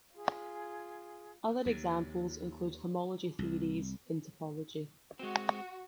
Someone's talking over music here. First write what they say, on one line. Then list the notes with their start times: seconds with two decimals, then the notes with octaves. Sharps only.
Other examples include homology theories in topology.
0.15 F4 G#4
1.66 D#2
3.39 C2
5.19 G#3 C4 F#4